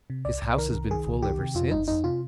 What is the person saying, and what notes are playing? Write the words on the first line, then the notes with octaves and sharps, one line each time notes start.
His house has been full ever since.
C3
C2 D5
C2
D#3 A#4
C2
D#3 G#4
C2
D#3 G4
C3
F2 F4
G1 D#4
F2 D#4
C3 F4